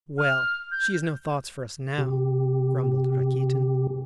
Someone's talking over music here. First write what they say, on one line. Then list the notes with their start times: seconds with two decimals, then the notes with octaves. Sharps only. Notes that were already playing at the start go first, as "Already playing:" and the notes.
"Well, she has no thoughts for us now!" grumbled Rakitin.
0.18 F6
0.71 G6
1.98 C3 G4